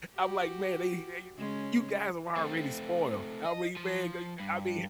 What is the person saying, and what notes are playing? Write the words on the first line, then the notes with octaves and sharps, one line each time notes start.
I'm like, "Man, eh, you eh, you you guys are the ones already spoiled." I re man, I I mean
F#4 G4
C#3 G#3 C#4
A3 C4
D#5
F3
G2